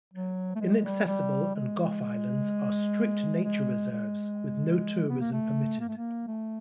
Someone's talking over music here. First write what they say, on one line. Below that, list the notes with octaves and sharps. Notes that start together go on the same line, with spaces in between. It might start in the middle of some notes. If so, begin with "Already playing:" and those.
Inaccessible and Gough Islands are strict nature reserves with no tourism permitted.
F#3
A3
G#3
G3
G3
G#3
G#3
G#3
B3
A#3
A3
A#3
A3
A#3
A3